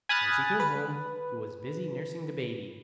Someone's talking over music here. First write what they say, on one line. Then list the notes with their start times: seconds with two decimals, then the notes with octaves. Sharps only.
When she came home, he was busy nursing the baby.
0.09 G#5 B5 D#6 F6 F#6 A6
0.60 B4